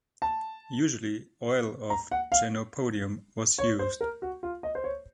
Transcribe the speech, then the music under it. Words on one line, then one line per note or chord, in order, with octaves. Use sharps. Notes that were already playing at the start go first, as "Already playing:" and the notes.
Usually, oil of chenopodium was used.
A5
A#5
F#5
F5
C#5
C5
A#4
F#4
F4
D#5
C5
C#5